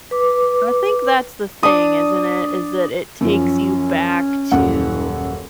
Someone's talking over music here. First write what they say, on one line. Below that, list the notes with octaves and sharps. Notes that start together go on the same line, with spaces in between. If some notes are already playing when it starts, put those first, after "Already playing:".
I think that's the thing, isn't it? Is that it takes you back to
B4 D6
D4 D#6
F#2 F3 C#4
D#1 F#2 F#5